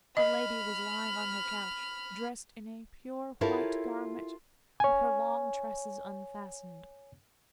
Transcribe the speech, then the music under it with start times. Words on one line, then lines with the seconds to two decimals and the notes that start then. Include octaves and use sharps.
The lady was lying on her couch, dressed in a pure white garment, with her long tresses unfastened.
0.17 D#5 B5 F6
3.41 E4 F4 G4 A4 A#4 C#5
4.80 C#5 G#5